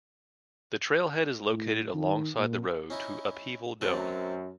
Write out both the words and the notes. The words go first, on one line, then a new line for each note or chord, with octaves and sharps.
The trailhead is located alongside the road to Upheaval Dome.
A2
D#3
A#2
C#4 D#4 E4
F#2 A3 C4 A4